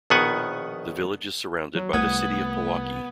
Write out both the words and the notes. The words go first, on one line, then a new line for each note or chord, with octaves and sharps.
The village is surrounded by the City of Pewaukee.
A#1 B2 D#3 B3 F#5 G#5
F#3
C2 A3 B3 F#5 D#6 G#6